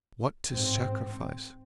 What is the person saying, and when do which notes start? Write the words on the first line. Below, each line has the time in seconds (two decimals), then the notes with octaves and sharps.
What to sacrifice!
0.52 A1 G#2 C4